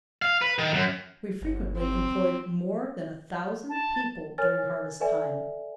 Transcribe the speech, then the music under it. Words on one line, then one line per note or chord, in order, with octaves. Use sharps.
We frequently employed more than a thousand people during harvest time.
F5
B4
D#3
F#2
G1
C4
A5
A#4 C#5 G#5 F6 A6
A4 B4 D5 E5 G#5